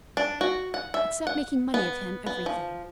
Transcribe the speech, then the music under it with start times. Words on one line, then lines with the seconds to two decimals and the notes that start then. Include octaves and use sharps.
"Except making money of him--everything?"
0.17 D4
0.41 F#4
0.74 F#5
0.94 E5
1.27 F#5
1.74 B3
2.26 B3
2.46 F3